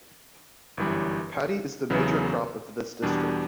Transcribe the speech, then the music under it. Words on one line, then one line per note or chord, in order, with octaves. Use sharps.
Paddy is the major crop of this district.
G1 F#2 E3 G3
E2 C#3 F#3 B3 E4
E2 B2 G3 D4